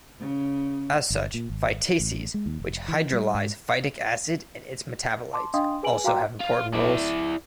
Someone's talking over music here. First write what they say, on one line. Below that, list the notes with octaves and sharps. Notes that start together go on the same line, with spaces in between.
As such, phytases, which hydrolyze phytic acid and its metabolites, also have important roles.
C#3
G1
A#2
G#1
A1
G#3
D#2
F1
E3
G3
G#2
A5 C6 D6
D4 D#5 F5 G5 C6 D#6
G#4 B4 G#5 D7 F#7
F#4 F5 G5 A#5 C6 D6
F4
E4 D5